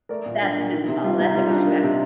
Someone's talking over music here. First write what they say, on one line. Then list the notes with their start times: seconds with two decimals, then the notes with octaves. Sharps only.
That's the business model. That's it, we just cracked it.
0.09 A3 A#4 D5
0.26 A#2
0.42 D4
0.57 A#2
0.73 D#3
0.88 C3
1.04 G3 F4
1.19 C3 D#4
1.35 G3 F4
1.46 D#4
1.51 D4
1.57 F4
1.67 A#3
1.83 C3